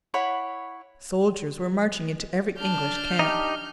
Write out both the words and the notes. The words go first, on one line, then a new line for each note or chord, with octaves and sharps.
Soldiers were marching into every English camp.
E4 C#5 F#5 B5
D4 A5 F6 G6
D#4 G4